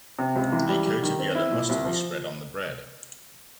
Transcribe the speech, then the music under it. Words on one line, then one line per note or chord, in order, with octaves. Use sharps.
A coat of yellow mustard is spread on the bread.
C3
C#2
E3
G3
G3
D#3
C4
E4
A#2
C2
F3